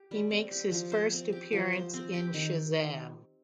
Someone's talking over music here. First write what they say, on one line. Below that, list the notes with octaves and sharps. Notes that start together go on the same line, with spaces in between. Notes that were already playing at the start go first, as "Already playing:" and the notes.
He makes his first appearance in Shazam!
Already playing: G4
G3
C4
G4
F3
C5
C4
G4
F3
C5
C4
G4
D#3